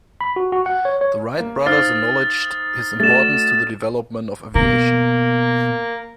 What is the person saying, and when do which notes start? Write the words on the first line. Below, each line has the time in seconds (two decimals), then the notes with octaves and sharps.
The Wright brothers acknowledged his importance to the development of aviation.
0.21 B5
0.36 F#4
0.52 F#4
0.66 F#5
0.85 C#5
1.01 C#5
1.39 A#3
1.66 D#4 C5 F5 D#6 F6 A6
3.00 A3 D4 F#4 A6 E7
4.55 B2 A#3